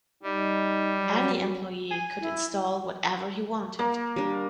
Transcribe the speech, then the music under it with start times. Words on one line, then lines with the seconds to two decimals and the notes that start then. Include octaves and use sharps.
Any employee could install whatever he wanted.
0.23 G3 D#4
0.99 F#3
1.91 G#5
2.20 E4
3.79 A#3
4.16 G3 D4